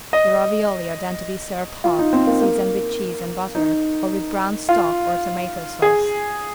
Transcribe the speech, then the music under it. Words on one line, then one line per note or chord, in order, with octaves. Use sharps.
The ravioli are then to be served hot seasoned with cheese and butter or with brown stock or tomato sauce.
D#5
F4
D#4
C4
A#3
A#3
D#4
F4
G#4